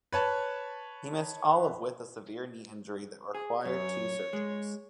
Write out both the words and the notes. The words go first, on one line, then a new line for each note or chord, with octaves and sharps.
He missed all of with a severe knee injury that required two surgeries.
B4 C#5 A5
G#4
F#2 C#5
G#3